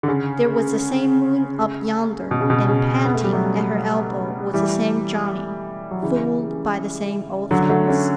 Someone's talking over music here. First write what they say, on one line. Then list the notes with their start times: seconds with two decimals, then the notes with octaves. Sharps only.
There was the same moon up yonder, and panting at her elbow was the same Johnny--fooled by the same old things!
0.03 D3
0.08 C#3
2.31 B2
2.41 C#3
2.50 B2
2.68 C#3
3.05 B3
3.14 A3
3.24 G3
3.33 F#3 A3
4.54 E3 G3
5.91 F#3
6.02 C#3 E3
7.51 D3 F#3
7.69 F#3 A3
7.88 A3 C#4